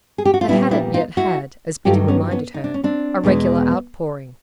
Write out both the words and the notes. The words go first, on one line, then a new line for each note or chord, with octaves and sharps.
They hadn't yet had, as Biddy reminded her, a regular outpouring.
G#4
G4
F#4
F4
A#2 G3 B3 D4 E4
D4 E4
D#4 F4
E4 F#4
G2 D#3 F#3 A3 F4 G4
B3 C#4
B3 C#4
D#4
D4
C#4
C4 D4
E2 B2 G#3 B3